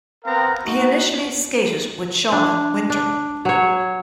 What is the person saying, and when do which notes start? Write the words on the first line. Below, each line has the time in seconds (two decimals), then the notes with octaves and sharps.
He initially skated with Shawna Winter.
0.25 B3 C4 A#4 F5 A#5
0.65 D#4 F#4
2.32 D4
2.90 D4
3.45 F#3 C#5